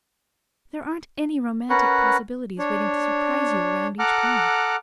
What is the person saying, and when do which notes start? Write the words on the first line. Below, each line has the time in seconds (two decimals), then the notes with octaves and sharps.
There aren't any romantic possibilities waiting to surprise you around each corner.
1.70 C#4 A#4 B4 F#5
2.59 D4 C#5
3.99 A4 F#5 A#5 D6 F6 F#6